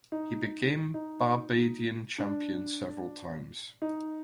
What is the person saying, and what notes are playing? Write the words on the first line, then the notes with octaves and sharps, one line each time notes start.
He became Barbadian champion several times.
D#4
D#4
D4
D#4